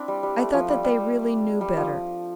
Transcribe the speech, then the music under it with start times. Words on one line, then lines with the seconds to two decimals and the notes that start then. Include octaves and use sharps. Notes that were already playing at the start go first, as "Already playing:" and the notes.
I thought that they really knew better.
Already playing: C4 D4 E4
0.08 G3
0.23 G3
0.39 A3
0.54 F3
0.69 G3
0.84 G3
1.61 G3
1.77 F3